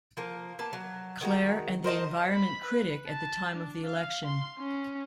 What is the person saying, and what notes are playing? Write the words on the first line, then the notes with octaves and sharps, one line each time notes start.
Clair and the environment critic at the time of the election.
F3 A#3 A#4
A#3 B3 A5
F#3
D#3 G#3 F#4 A#5
A#4 C5 D#5 A5
B5
B4
A5
D4
F5
C6
C#4